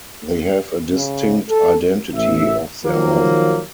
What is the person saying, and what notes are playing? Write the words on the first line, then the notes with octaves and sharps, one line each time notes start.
They have a distinct identity of their own.
C#3
A4
A1 E5
D#3 F3 F#3 A#3